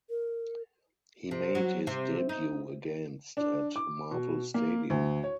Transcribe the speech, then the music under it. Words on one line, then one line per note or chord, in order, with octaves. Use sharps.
He made his debut against at Marvel stadium.
A#4
C3
F#3
C3
D#4
D4
D6
B2
A#3
D2
C#5